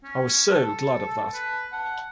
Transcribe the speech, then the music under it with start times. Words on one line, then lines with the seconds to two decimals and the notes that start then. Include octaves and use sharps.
I was so glad of that.
0.04 C#4
0.50 A4 A5
1.34 B4
1.72 F#5 A5